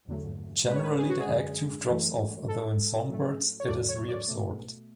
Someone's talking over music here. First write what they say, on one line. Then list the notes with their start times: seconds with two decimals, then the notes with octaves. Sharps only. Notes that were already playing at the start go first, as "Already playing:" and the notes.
Generally, the egg tooth drops off, though in songbirds it is reabsorbed.
0.08 E2 D3 F#3 A3
0.68 A2 G#3 B4
0.75 C#5
0.83 B4
0.98 G#4
1.09 F#4
1.20 G#4
1.28 F#2 D3 G#3
1.88 F#2 E3 A3
2.48 G#2 G#3 A4
3.09 A2 F#3 A3
3.60 C#5
3.68 E2 D3 F#3 A3 D5
3.89 C#5
4.09 D5
4.28 B2 A3